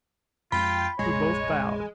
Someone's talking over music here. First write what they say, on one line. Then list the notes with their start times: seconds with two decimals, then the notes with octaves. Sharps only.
We both bowed.
0.52 F2 G#3 C4 F4 G5 B5
0.99 F1 A#1 G#3 C#5